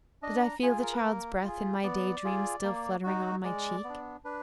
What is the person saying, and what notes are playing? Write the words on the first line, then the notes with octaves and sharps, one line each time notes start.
Did I feel the child's breath, in my day-dream, still fluttering on my cheek?
D4 D#5
A#5
F4 G#4 G#5
A#4
B4
A#3 A#4
F4 G#4
B3 D5
F4 G#4
A#3
D#4 F#4
G#3 D5
B3
D4
D4 B4